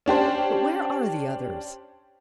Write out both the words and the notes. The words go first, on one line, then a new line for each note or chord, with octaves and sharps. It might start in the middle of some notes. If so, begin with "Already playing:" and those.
But where are the others?
C#4 D4 G4 C5